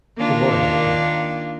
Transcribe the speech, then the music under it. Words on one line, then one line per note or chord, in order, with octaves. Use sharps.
The boy looked at him.
D#3 A#3 D4 F4